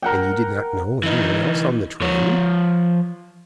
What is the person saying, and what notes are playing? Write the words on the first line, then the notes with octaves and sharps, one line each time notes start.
"And you did not know any one else on the train?"
A#4 F#5 G5
E3 D#4
F3 C#5